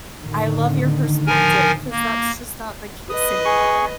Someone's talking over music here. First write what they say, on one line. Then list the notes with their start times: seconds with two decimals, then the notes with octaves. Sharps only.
I love your perspective 'cause that's just not the case anymore.
0.20 A2 D3 D#3
1.27 F3 A#4 G#5
1.91 A#3
3.10 B4 D#5 D#6
3.45 G#4 C#6